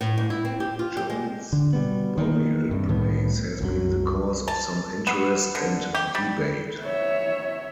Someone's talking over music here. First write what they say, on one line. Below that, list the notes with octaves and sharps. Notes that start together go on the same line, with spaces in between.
Joan's burial place has been the cause of some interest and debate.
A2
G#2
E4
C4
G4
F4
G4
G#3
D3
B2 G3 B3
D#3 A#3
G2 C3
C2 A2 D#3 B3
C2 F#2 F#3
A5
B3
D3
G4
G3
C#5 E5